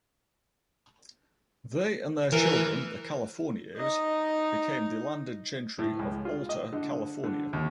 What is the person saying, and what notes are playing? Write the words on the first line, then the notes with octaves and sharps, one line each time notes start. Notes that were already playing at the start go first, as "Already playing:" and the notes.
They and their children, the Californios, became the landed gentry of Alta California.
E3 A#4
D#4 D#5
A2
C#2
F4
D#5
D3
D3
D#2